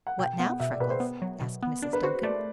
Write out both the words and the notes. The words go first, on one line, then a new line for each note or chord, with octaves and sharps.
"What now, Freckles?" asked Mrs. Duncan.
F#5
B2 G5
B3 F#5
B2 E5
D5
B2 B4
C5
B3
F#3
B2
B3
D4 D5
B4
F#4 C5
A3 D5